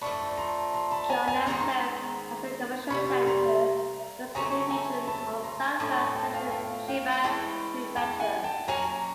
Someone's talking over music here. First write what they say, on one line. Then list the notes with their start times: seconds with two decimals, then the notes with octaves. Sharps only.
Kyonan serves as a commercial center for the surrounding region of southwest-central Chiba Prefecture.
0.01 F3 A3 D4 B5 C#6
0.37 A#5 C6
0.74 A#5 C6
0.91 A5 B5
1.09 G#5 A#5
1.27 G#5 A#5
1.46 D#3 G#3 C4 D#4 A#5 C6
2.90 C3 E3 G3 B5 C#6
3.26 A#5 C6
4.35 C#3 F#3 A3 C4 G#5 A#5
4.71 G#5 A#5
5.07 A5 B5
5.43 A#5 C6
5.79 A2 F3 A3 A5 B5
5.97 G#5 A#5
6.16 G5 A5
6.34 F5 G5
6.47 G#5
6.51 F5 G5
6.87 F5 G5
7.23 E3 G#3 C#4 E4 G5 A5
7.96 G5 A5
8.20 F#5 G#5
8.44 G5 A5
8.68 F#3 A#3 C#4 G#5 A#5